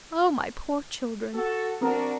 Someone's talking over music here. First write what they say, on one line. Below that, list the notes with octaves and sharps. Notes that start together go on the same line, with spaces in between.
O my poor children!
F#4 A4
C4 D4 F#4 A#4